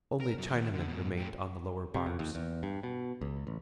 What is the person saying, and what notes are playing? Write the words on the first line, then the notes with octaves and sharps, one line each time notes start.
Only Chinamen remained on the lower bars.
A#4
F#2
D#2
D3
G#2 B2
A2 G4
C3
F2
D#2
E2
G2
B2
C#2
A1